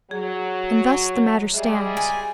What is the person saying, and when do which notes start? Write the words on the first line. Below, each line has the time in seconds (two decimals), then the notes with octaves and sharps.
And thus the matter stands.
0.11 F#3 G#4
1.54 G3 G#3 G#4 E5
1.97 G#5